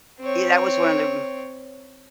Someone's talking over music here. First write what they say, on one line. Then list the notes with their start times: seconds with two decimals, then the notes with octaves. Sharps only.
yeah, that was one of the r
0.20 C4 C#5